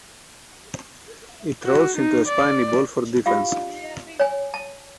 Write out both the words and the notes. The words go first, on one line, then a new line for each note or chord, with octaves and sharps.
It rolls into a spiny ball for defense.
F#4
D#4
D5
F4 G4 F5
C#5 G#5
A5